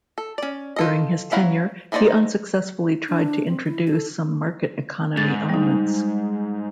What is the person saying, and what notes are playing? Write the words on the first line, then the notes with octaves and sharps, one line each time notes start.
During his tenure, he unsuccessfully tried to introduce some market economy elements.
A4
C#4 D5
F4 A4 D#5
C#4 E4 F5 F#5 A#5
E3 A#3 D#4 C5 D5
D4
C4
E4
A4
G#2 A6
G3 D#4